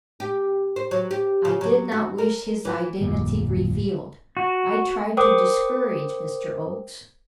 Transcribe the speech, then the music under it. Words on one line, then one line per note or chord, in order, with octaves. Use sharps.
I did not wish his identity revealed; I tried to discourage Mr. Oakes.
G4
C5
F#3
G4
C#3
F#3
F#4
A#4
E3
D1 F2 A#2 G3
F#4
A#4 C5 G5 D6 D#6